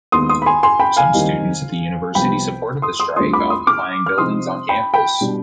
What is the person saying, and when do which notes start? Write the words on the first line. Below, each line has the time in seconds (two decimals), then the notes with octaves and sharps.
Some students at the university supported the strike, occupying buildings on campus.
0.12 D#2 D#3 G#3 B3 C6 D#6
0.29 C6 D#6
0.42 B5
0.46 G#5 C6
0.63 G#5 C6
0.80 G5 B5
0.97 F5 G#5
1.14 D#2 D#3 G3 C4 D#4
2.15 C2 C3 F3 B3 G5 B5
2.82 C6 D#6
3.00 C6 D#6
3.16 D2 D3 G3 C4 F4 C6 D#6
3.33 B5 D6
3.50 C6 D#6
3.67 D6 F6
4.06 F6
4.18 C3 F3 C4 D#4 C6 D#6
4.69 G5 B5
4.94 G5 B5
5.21 B2 G3 D4